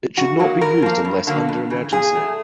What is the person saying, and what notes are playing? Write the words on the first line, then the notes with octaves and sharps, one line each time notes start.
It should not be used unless under emergency.
F#2 F#4
D#3 F#3 A#3
G#2 A#4
F3 A#3
G2
D3 F#3 A#3
F2
C#3 E3
A#2 G#4
F#3 A3